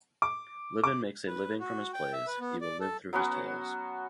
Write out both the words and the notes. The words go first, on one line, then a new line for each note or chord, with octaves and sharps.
Libin makes his living from his plays; he will live through his tales.
D6
D6
B4
F#4
G5
E5
B4
B3
D5
A4
F#3 B3 C#4 F#4